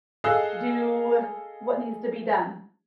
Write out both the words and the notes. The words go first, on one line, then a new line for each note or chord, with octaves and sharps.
do what needs to be done.
G#4 A4 D#5 F5 E6 F#6